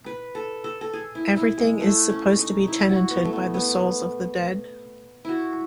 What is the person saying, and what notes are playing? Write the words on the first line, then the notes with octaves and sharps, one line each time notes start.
Everything is supposed to be tenanted by the souls of the dead.
B4
A4
A4
A4
G#4
E4
E4
G#3
A3
C#4
D#4
E4
F#4
B3
A3
B3
B3
E4 F#4